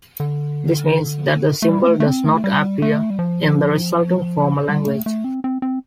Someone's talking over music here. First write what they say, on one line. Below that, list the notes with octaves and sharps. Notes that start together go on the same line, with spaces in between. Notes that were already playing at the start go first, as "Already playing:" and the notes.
This means that the symbol does not appear in the resulting formal language.
D3
A3
G3
C4
A3
A3
C4
A3
G3
A3
G3
F3
G3
A3
A3
C4
C4
C4